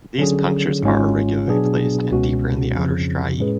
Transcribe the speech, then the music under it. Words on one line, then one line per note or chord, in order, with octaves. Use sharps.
These punctures are irregularly placed and deeper in the outer striae.
D3 F#3 C#4 G#4
G#1 G#2 G#3 C#4 F4
B2 F#3 B3 D4 G#4
C#2 B2 G#3 C#4 F#4
F2 C#3 F3
A2 G#3 C#4 G#4 B4